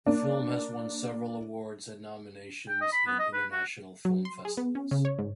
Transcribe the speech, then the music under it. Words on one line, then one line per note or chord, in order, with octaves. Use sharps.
The film has won several awards and nominations in International film festivals.
A#3 D4
G5
D#5
B5
B3
D#5
B4
F#4
F#3
C6
G#4
B3
C#4
C#3
C#5
G#2